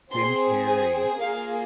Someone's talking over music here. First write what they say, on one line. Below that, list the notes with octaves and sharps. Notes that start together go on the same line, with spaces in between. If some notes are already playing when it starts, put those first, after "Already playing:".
Jim Carrey.
C4 G#4 C6
G#5
A#3 F4 G#4 F5